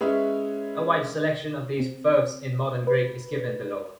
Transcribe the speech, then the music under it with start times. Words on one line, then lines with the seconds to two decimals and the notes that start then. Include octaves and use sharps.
A wide selection of these verbs in Modern Greek is given below.
0.01 G#3 C#4 E4 B4 C#5 E5
1.80 C4
2.87 B4